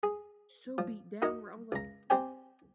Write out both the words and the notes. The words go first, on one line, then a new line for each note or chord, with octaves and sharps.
so beat down where I was like,
G#4
F3
D#4 F#4 A#4 D#5
C#2 A#5
C4 G4 C5 D5 G5 G#5